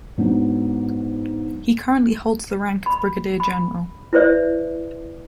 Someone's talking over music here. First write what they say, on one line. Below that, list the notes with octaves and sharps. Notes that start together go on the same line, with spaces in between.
He currently holds the rank of Brigadier-General.
G#2 F#3 B3 D4
B5
B5
E4 B4 C5 D5 E5